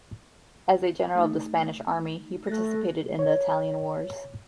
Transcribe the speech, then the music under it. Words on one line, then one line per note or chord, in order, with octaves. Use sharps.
As a general of the Spanish army, he participated in the Italian Wars.
A3 D#4
A3 F#6 A6 A#6
C#5